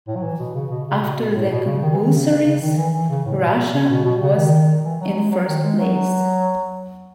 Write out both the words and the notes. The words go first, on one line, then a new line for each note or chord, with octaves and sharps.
After the compulsories, Russia was in first place.
A2
F#3
E3
B2
C#3
B2
C#3
B2
B2
A2
B2
C#3
D#3
E3
D#3
C#3
C#3
C#3
D#3
E3
E3
C#3
A2
B2
C#3
B2
B2
C#3
D#3
E3
F#3
G#3
F#3
D#3
G#3
F#3